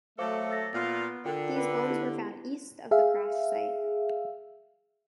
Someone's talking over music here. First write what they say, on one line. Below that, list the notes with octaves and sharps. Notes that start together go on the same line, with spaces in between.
These bones were found east of the crash site.
F#3 A3 A4 C5 F5 D6
E6 A6 A#6
A#2 B3 F4
D3 F4 A#4 G5
B4
B3 E4 G4
G#4 E5 F5